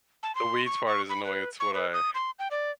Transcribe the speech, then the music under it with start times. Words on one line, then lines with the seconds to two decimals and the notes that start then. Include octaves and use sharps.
the weeds part is annoying. It's what I
0.23 A5
0.35 C6
0.66 C#6
0.87 C#6
1.10 B5
1.24 B4
1.60 C#6
1.74 B4
1.93 D#6
2.14 C6
2.39 G5
2.51 D5